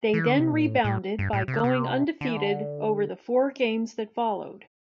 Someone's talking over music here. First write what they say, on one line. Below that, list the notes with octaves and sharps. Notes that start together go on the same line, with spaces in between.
They then rebounded by going undefeated over the four games that followed.
E3
D3
C3
A#2
A2
A2
G2
A2
C3
D3
C3
D3
E3
D3